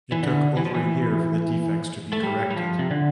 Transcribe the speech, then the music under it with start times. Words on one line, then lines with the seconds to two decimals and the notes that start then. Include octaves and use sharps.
It took over a year for the defects to be corrected.
0.12 E3
0.23 D3
0.57 E3
0.65 F3
0.74 E3
2.13 A3
2.23 G3
2.50 G3
2.56 F3
2.79 C3
2.91 D3